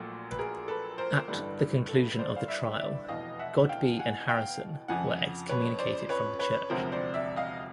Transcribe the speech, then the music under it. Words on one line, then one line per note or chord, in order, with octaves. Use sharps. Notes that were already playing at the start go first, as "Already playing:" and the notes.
At the conclusion of the trial, Godbe and Harrison were excommunicated from the church.
Already playing: A#1 A#2 F#3 A3
B4
G#4 A#4
A4 B4
A#4 C5
A1 G2 D3 G3 A4 B4
A4
C5 D5
F5
D5 E5
D5 E5
F1 E2 B2 D#5 F5
E5 F#5
F5 G5
F#5 G#5
F5 G5
F2 C#3 F3 F#5 G#5
B4 C#5
C5 D5
B4 C#5
B4 C#5
E1 D2 C3 F3 A#4 C5
C5 D5
D5 E5
D#5 F5